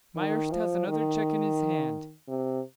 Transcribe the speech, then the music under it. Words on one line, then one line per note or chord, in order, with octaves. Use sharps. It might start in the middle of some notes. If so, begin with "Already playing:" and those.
Myerst has another cheque in his hand.
D#3
F3
D#3
C3